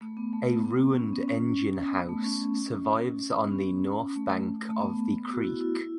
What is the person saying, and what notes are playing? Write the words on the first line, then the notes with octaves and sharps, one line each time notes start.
A ruined engine house survives on the north bank of the creek.
A3
B3
A3
B3
B3
C#4
B3
C#4
B3
A3
C#4
B3
C#4
A3
A3
B3
F#4
E4
E4
E4